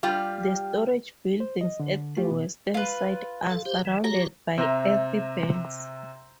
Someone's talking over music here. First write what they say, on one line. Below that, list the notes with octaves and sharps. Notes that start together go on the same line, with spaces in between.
The storage buildings at the western site are surrounded by earth banks.
G3 F4 G4
C5
D#5
D3
A3 F4 G4
B2 B3
F4 B4
A4
G4 C5
E3
F#4 G4 C#5 A#5
C3 C5 E5 A#5